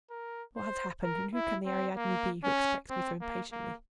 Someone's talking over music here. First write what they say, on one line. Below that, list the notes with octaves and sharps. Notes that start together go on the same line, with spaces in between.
What has happened, and who can the Ariadne be who expects me so impatiently.
A#4
C5
A#4
E4
C4
A#3
C#4
C4
A#3
A#3